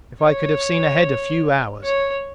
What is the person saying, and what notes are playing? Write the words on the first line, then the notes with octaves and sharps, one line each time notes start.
If I could have seen ahead a few hours!
C#5
C#5